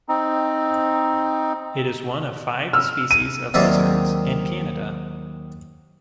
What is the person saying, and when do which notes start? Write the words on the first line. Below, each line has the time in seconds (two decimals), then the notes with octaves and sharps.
It is one of five species of lizards in Canada.
0.09 C4 D#4
2.73 E6 F6
3.11 D#7
3.54 D#2 D#3 F#3 C4 D5 E5